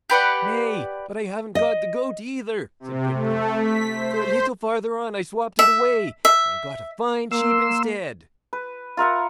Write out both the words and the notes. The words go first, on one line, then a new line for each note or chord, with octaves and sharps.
'Nay, but I haven't got the goat either', said Gudbrand, 'for a little farther on I swopped it away, and got a fine sheep instead.'
G4 B4 D5 F#5
D#5
C3
A3
B6
C5
E5
E5
A#3 C6 E6
B4
F4 A#4 E5 F#5